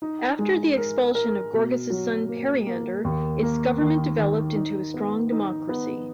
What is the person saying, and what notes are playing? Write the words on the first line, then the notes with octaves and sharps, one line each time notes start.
After the expulsion of Gorgus's son Periander its government developed into a strong democracy.
D#4
G#3
A#4
A#4
B2
F#3
A#3
A#3
D#2
A#3
D#3
D#3
D#4
B3
D#4
B3